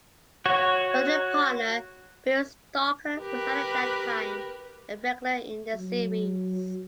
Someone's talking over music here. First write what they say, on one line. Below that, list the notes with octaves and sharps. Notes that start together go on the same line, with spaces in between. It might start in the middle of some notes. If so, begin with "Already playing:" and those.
Her then partner, Bill Stalker, was at that time a regular in the series.
F#4 C#5
G4 A#4 B4
F#3